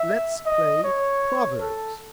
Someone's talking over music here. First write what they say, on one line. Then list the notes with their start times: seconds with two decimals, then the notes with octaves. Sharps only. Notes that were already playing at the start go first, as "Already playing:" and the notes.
"Let's play proverbs."
Already playing: E5
0.45 D#5
0.84 C#5
1.60 A4